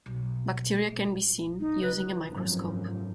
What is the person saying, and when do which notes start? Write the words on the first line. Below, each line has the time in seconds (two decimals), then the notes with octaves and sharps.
Bacteria can be seen using a microscope.
0.06 B1
0.88 B1
1.06 A#1
1.60 D#4
1.82 C#2 B4
2.25 G#1 F#2 A2 C3 F3